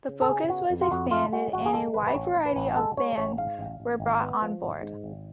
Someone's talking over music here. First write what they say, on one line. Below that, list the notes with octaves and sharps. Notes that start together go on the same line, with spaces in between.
The focus was expanded and a wider variety of bands were brought on board.
C#3
A4
C#3 G#4
B3 F#4
F2
F4
F2 F#4
G#3 F4
G#3 F#4
A1 F#4
G#4
G#3 A4
A1 B4
B4
A1 C#5
A1
B4
A1
G#3 A4
G#3 C#5
A1 C#5
G#2 F5
A1
A1
G#1
B3
F3
G#1
G#2
G#1